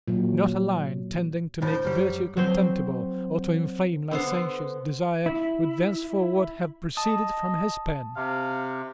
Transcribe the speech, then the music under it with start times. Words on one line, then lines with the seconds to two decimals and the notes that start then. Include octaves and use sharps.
Not a line tending to make virtue contemptible, or to inflame licentious desire, would thenceforward have proceeded from his pen.
0.08 A#2 F#3
1.62 D2 A2 C5
1.85 F#2 G3
2.37 F#3 C4 C5
4.11 D3 B3 C5
5.26 E4
6.97 D#5 A5 D#6
8.16 C3 F5